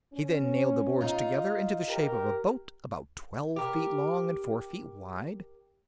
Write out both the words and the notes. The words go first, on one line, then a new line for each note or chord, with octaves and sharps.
He then nailed the boards together into the shape of a boat, about twelve feet long and four feet wide.
C#4
D#4 F4
G4 A#4
G4 A#4